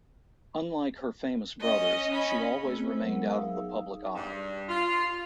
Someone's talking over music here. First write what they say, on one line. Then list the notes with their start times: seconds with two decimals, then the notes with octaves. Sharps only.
Unlike her famous brothers, she always remained out of the public eye.
1.61 C#4 D#5
2.10 C#4 B5
2.63 A3 B3 C4 G#4 E6
2.84 C5
3.00 F#3 G#3 B3 A#4 F#5
3.30 D#4 G#4 E5 F5 D#6 E6
3.47 D#4 G#4
4.15 G2
4.69 F4